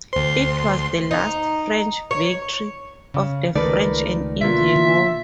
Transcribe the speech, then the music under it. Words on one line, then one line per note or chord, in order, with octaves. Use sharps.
It was the last French victory of the French and Indian War.
D2 C5 C6
D#4
C#5
C#3
C#2 D#3 A3 A#4 B4 D5
B2 D3 A#3 F4 E5